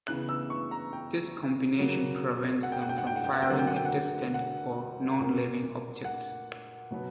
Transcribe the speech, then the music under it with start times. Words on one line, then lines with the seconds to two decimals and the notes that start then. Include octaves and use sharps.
This combination prevents them from firing at distant or non-living objects.
0.08 C#3 E3 B3 F#6
0.29 E6
0.50 C#6
0.71 A#5
0.93 G5
1.79 C#3 F#3 A#3
2.63 F#5
2.72 G5
2.82 F#5
2.89 G5
2.98 F#5
3.07 G5
3.16 F#5
3.24 G5
3.33 F#5
3.42 G5
3.49 D3 F#3 A#3 F#5
3.59 G5
3.67 F#5
3.76 G5
3.85 F#5
4.34 F#5
5.20 A#2 A#3
6.05 F#5
6.91 B2 F#3 B3